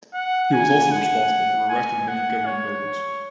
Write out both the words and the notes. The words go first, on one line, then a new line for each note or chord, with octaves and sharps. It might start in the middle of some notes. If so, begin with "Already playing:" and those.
He was also responsible for erecting many government buildings.
F#5
G#5
F#5
G#5
F#5
C#5